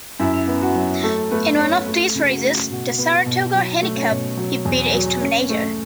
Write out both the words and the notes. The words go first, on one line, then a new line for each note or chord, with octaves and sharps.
In one of these races, the Saratoga Handicap, he beat Exterminator.
F#2 E4
B3
F#4
F#3
A3 A4
A3 B3 B4
C#4 C#5
A3
C#3
F#4
A3
B2 F#4
B3
B2
F#3
A3
C#4 C#5
B2
F#3
E2
F#3
C#4
A3